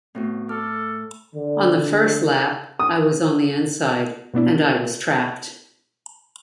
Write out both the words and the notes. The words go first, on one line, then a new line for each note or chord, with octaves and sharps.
On the first lap, I was on the inside, and I was trapped.
A2 B3 C4 F#4
A4 D6 F6
D3
D#6
B2 B3 D4 E4